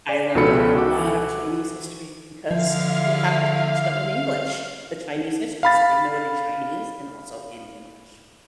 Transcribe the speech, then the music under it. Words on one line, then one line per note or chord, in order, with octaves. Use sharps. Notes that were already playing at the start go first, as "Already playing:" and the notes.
I learned a lot of Chinese history because you have to teach them in English. The Chinese history, so they know it in Chinese and also in English.
D5
C#2 B2 F3 A4 B5 C#7
F#4 A4 D6
D3 F3 E4 F4 E5 F5
F5 B5 A6